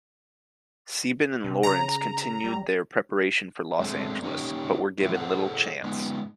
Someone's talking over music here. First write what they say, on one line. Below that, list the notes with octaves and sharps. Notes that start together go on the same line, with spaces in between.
Sieben and Lawrence continued their preparation for Los Angeles, but were given little chance.
C3
C#3 A#5
G3
G#3 A3 B3 C4 D4
A#3 C#4 D#4 G4
F3 F#3 G#3 A3 E4 F4
G#4 A4 C5 F#5
G#3 B3 D#4